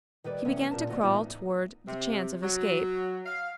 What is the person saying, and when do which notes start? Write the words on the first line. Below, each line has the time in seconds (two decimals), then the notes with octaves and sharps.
He began to crawl toward the chance of escape.
0.24 D#3 G3 B4 D5
0.45 C3 E3 G3 A3 B3 C#4
0.71 A#2 G3 A#4 A5
0.90 D2 D#3 A3 F4 F#4 D#5
1.03 A2 E3 A3 B3 D#4 F4
1.87 C3
2.42 F#3
3.26 F5